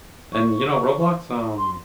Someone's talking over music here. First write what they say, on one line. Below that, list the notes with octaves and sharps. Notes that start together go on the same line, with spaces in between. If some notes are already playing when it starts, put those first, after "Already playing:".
And, you know, Roblox, um
C#6
C6